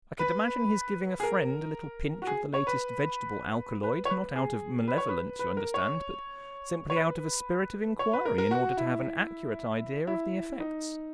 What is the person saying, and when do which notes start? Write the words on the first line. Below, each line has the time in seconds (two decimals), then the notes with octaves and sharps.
I could imagine his giving a friend a little pinch of the latest vegetable alkaloid, not out of malevolence, you understand, but simply out of a spirit of inquiry in order to have an accurate idea of the effects.
0.19 B4
1.20 G#4
1.23 A#4
2.22 F#4
2.27 G#4
2.54 C#5
2.67 B4
3.83 B4
4.05 C#5
4.09 B4
4.36 G#4
4.88 B4
4.98 C#5
5.09 B4
5.39 B4
5.57 A#4
5.74 C#5
6.90 C#5
6.96 B4
7.99 C#5
8.13 B4
8.25 A#4
8.38 A#4
8.51 F#4
8.77 E4
10.07 E4
10.60 D#4